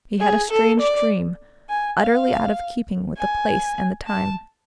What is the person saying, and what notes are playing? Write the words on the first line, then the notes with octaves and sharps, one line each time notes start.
He had a strange dream, utterly out of keeping with the place and the time.
G#4
A4
D5
G#5
F5
G#5
A5